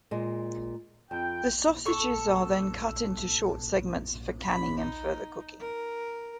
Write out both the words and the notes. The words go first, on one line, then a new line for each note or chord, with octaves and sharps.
The sausages are then cut into short segments for canning and further cooking.
A#2 G#3
F2 G5
A4 C#6
B5
D#4
A#4